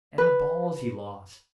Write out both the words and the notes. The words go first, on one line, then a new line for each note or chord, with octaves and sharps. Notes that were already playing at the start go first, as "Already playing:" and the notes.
And the balls he lost!
B4